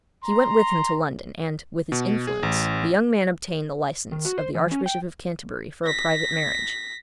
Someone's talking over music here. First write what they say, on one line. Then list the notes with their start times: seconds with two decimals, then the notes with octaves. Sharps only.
He went with him to London, and, with his influence, the young man obtained the license of the Archbishop of Canterbury for a private marriage.
0.24 A#5 C6
1.92 B2
2.27 G#4
2.43 A1
4.12 D#3
4.25 F#4
4.38 C5
4.55 E3
4.71 C#4
4.86 G5
5.85 A#6 B6